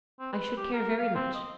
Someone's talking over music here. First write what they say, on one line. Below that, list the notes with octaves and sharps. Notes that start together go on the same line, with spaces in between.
I should care very much.
C4
B4
G4
A#4
F5
C4
D#5